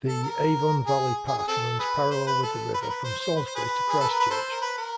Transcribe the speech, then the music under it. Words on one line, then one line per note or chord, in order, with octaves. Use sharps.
The Avon Valley Path runs parallel with the river from Salisbury to Christchurch.
A4
A#4
G#4
G#4
G#4
C4 A4
G#4 B4
C5
B4
A4
B4
A#4
B4
C5
C5
B4
C5
G#4 B4
G#4
A4
A#4
B4
A4 C5
A#4
B4
A#4